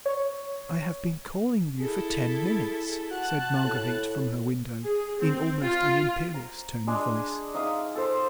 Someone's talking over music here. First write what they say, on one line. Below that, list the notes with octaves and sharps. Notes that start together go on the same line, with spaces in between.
"I have been calling you for ten minutes," said Marguerite from her window, in almost an imperious tone of voice.
C#5
E4 G#4 A4
F#4 A5 F#6
A2
G#4
C4
F4
A#5
G#3 D4 G#4
D#4 E5 F5 D#6
A4 C5